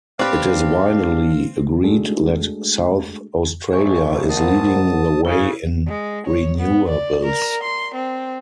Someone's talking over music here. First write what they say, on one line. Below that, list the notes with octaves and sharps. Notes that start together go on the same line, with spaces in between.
It is widely agreed that South Australia is leading the way in renewables.
C4 D4 G4 B4 D5 F5
G#3 A3 D4 F#4 G#4 A4
A#1 A3 G#4 G#5 C#6
A#4 C5 F#5 A5 D#6
C#3 E4
G#3
C#5
B3
D5
A#4
C6
C4